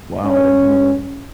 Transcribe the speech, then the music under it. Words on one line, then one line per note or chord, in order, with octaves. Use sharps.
Wow, I didn't even know that.
C#4